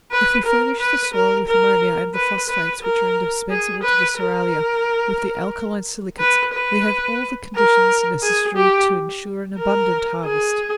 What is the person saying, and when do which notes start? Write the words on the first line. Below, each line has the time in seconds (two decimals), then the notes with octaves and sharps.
If we furnish the soil with ammonia, and the phosphates, which are indispensable to the cerealia, with the alkaline silicates, we have all the conditions necessary to ensure an abundant harvest.
0.12 B4
0.45 A#4
0.80 B4
1.14 A#4
1.48 A#4
2.15 B4
2.49 B4
2.82 A#4
3.50 G#4
3.83 B4
4.18 A#4
6.20 B4
6.53 B4
7.55 A#4
8.22 G#4
8.57 G4
9.58 A#4
10.25 G#4